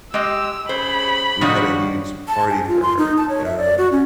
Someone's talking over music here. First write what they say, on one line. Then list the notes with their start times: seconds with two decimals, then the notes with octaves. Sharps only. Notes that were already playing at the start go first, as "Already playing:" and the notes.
we had a huge party for her, um,
0.14 G#3 G4 D#5 E6
0.69 C#3 C5 B5
1.41 D#3 F3 D4 F#4 C#5
2.28 A5
2.50 G#5
2.68 F4
2.82 C6
2.98 D#4
3.17 A5
3.29 C#5
3.46 E5
3.58 D5
3.78 F#4
3.92 C#4